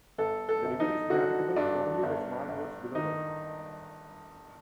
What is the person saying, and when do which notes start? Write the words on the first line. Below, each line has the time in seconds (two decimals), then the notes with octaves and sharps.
The river is navigable only by small boats below that.
0.18 G1 A4
0.49 A4
0.65 G1
0.80 D#4
1.10 D3 F#4
1.56 G2 D4
2.03 G1
2.49 G1
2.95 D#3 D#4